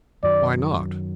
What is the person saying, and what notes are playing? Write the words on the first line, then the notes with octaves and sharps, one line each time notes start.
Why not?
F#2 D#3 F#3 D5